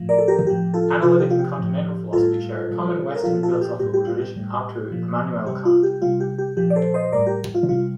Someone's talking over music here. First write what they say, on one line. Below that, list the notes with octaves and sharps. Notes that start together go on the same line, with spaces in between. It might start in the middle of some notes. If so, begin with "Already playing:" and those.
Analytic and continental philosophy share a common Western philosophical tradition up to Immanuel Kant.
Already playing: A2 F3
A#4 D5
A4
G4 A#4
A2 F3 G4
F4 A4
C3 F3 F4 A4
G4
F4
G4
A2 F3
A2 G3 F4 A4
A#2 G3
A#4
A#2 F3 F4 A4
F4 A4
G4
A2 G3 G4
G4
F4
G4
A2 G3
A#2 F3
C3 G3 G4
F4
G4
C3 G3 F4
G4
G4
A#2 F3 G4
D5
A4 C5
C5 D#5
A2 G3 A#4 D5
G4 A#4
F4
C3 G3 F4